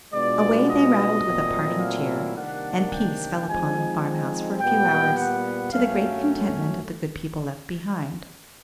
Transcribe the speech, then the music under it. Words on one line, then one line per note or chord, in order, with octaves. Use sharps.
Away they rattled with a parting cheer, and peace fell upon the farm-house for a few hours, to the great contentment of the good people left behind.
B2 G#3 B3 D4 F4 D5
D#5
A#2 F#3 A3 C4 E4
F5
C3 D#3 G3 A#3 D4 F#5
G5
F3 G#3 C4 D#4 G#5
G#5
A#2 G3 B3 G5
F#5
F#2 D3 F#3 A3 C#4 F5